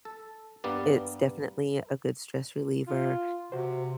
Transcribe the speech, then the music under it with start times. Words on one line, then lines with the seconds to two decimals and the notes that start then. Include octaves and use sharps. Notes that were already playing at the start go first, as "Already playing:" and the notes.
it's definitely a good stress reliever,
0.05 A4
0.64 G2 G3 A#3 B3 D5
2.87 F4
3.52 C3 F#4 C5